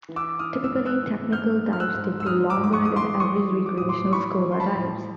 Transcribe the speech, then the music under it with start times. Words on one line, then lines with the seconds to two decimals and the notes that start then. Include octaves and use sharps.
Typically, technical dives take longer than average recreational scuba dives.
0.09 E3
0.16 D6 E6
0.39 E3 D#6 F6
0.64 E6
0.71 G#2 F6
0.86 E6 F#6
1.02 E3
1.32 G#2 F6 G6
1.63 G#2
1.73 F6
1.80 E6 F#6
1.94 G#2
2.20 E6
2.26 G#2 D#6 F6
2.50 D6 E6
2.57 G#2
2.64 D6
2.73 C#6 D#6
2.85 E3 D#6
2.96 C6 D6
3.20 E3 C#6 D#6
3.51 E3
3.66 D6
3.78 A2 D#6
3.89 C6 D6
4.13 E3 B5 C#6
4.45 E3
4.52 C6
4.60 A5 B5
4.75 A2